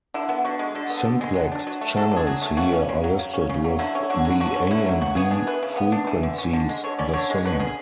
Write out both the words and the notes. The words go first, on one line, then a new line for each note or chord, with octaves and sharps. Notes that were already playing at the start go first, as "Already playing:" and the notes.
Simplex channels here are listed with the A and B frequencies the same.
D3 E4
B3
D3 F#4
G#3
D3 A4
B3
D3
G#3
F#3
D4
F#3
A3
F#3 A4
D4
G#4
F#3
A3
C#3 F#4
C#4
C#3
F#3
C#3
C#4
C#3
F#3
D3 E4
C#4
D3 F#4
F#3
D3 F#4
C#4
D3 E4
F#3
C#3 F#4
B3 G#4
D4 G#4
E3 B4
C#3
B3
D4
E3
D3
C#4
D3
G#3
D3 C#5
C#4 D5
D3 C#5
G#3 C#5
D3 B4
C#4 G#4